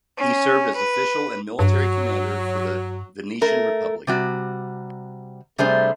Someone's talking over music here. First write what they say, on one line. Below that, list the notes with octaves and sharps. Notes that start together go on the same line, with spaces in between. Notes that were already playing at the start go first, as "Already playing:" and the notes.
He served as official and military commander for the Venetian Republic.
C#4
B4
G2 F#3
A3 A#4
C3 G3 F#4
C3 G3 A3 D4 G#4 C5